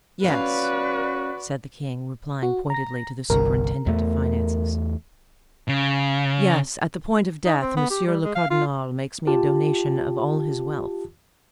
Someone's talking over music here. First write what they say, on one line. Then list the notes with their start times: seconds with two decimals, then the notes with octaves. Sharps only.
"Yes," said the king, replying pointedly to the superintendent of finances, "yes, at the point of death, monsieur le cardinal makes me a donation of all his wealth."
0.24 C#4 F#4 B4 D5 F5
2.43 F#4
2.70 A#5 A#6
3.30 G1 C2 A#4
3.87 E2 A3
5.69 C#3
7.45 D#4
7.61 C4
7.77 B3
7.90 G4
8.07 G3
8.24 G#3
8.35 F5
8.50 F4
9.27 F4 G4 A5